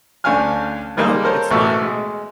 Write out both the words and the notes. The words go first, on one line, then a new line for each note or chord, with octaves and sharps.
No, it's not.
D2 C#4 D4 F5 G#5 F6
D#3 G3 G#3 A#3
A4 A#4 C5 C#5
A1 B2 A3 E4 F#4 E6
G#3